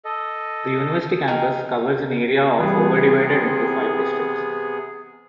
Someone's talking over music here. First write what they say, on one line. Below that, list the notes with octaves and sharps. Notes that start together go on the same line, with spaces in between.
The University campus covers an area of over divided into five districts.
A4 D#5
D#4 G#4 A#4 G5
C3 E3 G3 B3 C4 G#4